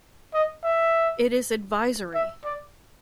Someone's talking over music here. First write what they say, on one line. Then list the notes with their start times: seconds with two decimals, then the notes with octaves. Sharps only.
It is advisory.
0.34 D#5
0.64 E5
2.14 E5
2.44 D5